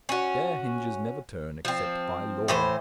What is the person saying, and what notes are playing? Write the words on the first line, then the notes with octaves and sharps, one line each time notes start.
Their hinges never turn except by law.
C#4 F#4
F3 C4
A2 E3 C5